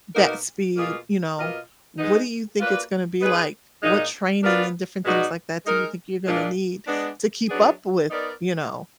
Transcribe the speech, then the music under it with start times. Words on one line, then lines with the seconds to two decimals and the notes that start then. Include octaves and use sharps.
that speed, you know, what do you think it's gonna be like? What training and different things like that do you think you're gonna need to keep up with, you know,
0.14 B2 A#3 D#4 F#4 A#4
0.75 B2 A#3 F4 G#4
1.37 B2 A#3 F4 A#4 D#5
1.98 G#3 B3 D#4
2.59 A#3 F4 B4 D5
3.20 B3 D#4 G#4 B4
3.82 A#2 G#3 D#4
4.43 B3 D4 F4 A#4 D5
5.04 B2 G#3 D#4 F#4 D5
5.65 G#3 D#4 A#4
6.26 A#2 G#3 D4 F4
6.87 G#3 B3 D4
7.49 F#3 B3 D4 G#4 D5
8.10 B3 D#4 A#4 D5